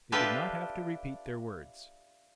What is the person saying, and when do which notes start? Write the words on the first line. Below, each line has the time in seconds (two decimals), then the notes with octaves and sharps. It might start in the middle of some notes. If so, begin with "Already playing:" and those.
They did not have to repeat their words.
0.12 D4 F4 G4 A4 B4 E5